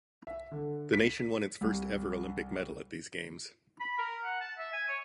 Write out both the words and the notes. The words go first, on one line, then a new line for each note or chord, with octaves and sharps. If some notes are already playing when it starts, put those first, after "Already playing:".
The nation won its first ever Olympic medal at these Games.
E5
D3
B6
C2
B5
A#4
F#5
A5
E5
G#5
C#5